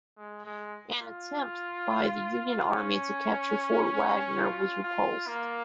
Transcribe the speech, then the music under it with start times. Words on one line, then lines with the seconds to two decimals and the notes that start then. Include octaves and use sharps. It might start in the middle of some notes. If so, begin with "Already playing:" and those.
An attempt by the Union Army to capture Fort Wagner was repulsed.
0.18 G#3
0.46 G#3
1.02 F4
2.72 C#4
4.41 F4
4.84 F4
5.27 A#3